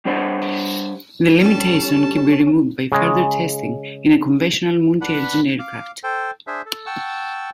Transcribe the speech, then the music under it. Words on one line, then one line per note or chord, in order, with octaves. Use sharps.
The limitation can be removed by further testing in a conventional multi-engine aircraft.
G3 D4 G4 C5 C#5 F#5
G3 C#4 A4 A5
C#3 G#3
D4 B4 F#5 B5
F5 D6
A4 C5 G5
D4 G#4 C5 E5
A4
F#5 G5 A5 C#6 E6